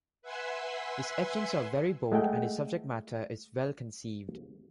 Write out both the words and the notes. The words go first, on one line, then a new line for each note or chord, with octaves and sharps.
His etchings are very bold and his subject matter is well conceived.
B4 E5 F#5 G#5 C6 E6
G#3 A3 F#5 G5